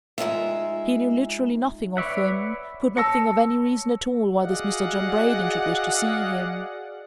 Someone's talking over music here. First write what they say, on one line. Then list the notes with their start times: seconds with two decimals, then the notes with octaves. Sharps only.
He knew literally nothing of him--could not think of any reason at all why this Mr. John Braden should wish to see him.
0.18 G#3 D#4 F4 E5
1.97 B4 C#5 D5 E5 F#5
2.97 C#5 A5 E6 A#6 C#7
4.41 F#4 G#4 D5 D#5 F5 F#5